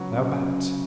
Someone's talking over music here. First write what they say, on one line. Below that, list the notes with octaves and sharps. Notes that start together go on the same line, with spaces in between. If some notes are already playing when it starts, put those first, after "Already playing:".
Thou bat!
Already playing: C#3 F#3 B3
C#3